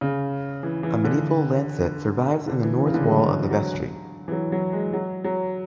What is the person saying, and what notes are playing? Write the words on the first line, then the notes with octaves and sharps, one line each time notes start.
A medieval lancet survives in the north wall of the vestry.
C#3
E3
E3
D3
D3
E3
E3
C#3
D3
G#3
F#3
F#3
E3
F#3
F#3
G#3
F#3
F#3